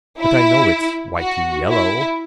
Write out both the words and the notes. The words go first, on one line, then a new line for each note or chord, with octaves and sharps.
But I know it's whitey yellow.
E4
F#4
E4